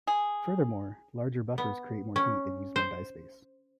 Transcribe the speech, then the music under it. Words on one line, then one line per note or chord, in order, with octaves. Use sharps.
Furthermore, larger buffers create more heat and use more die space.
G#4
B3
C#4
C5